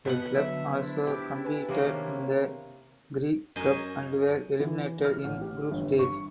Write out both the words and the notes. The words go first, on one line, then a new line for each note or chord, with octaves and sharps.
The club also competed in the Greek Cup and were eliminated in Group Stage.
B2 B3 F#5 A5 B6
D3 F#3 E5
D4 E4 C5
G4
B4 G#5
C3 D#3 A#3 C#4
F#2 D#5 G#5
E3
F6
A1
G4
G1
C#6